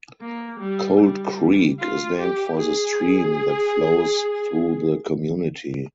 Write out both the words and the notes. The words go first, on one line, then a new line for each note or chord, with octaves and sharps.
Cold Creek is named for the stream that flows through the community.
A#3
G3
G3
F4
G4
G#4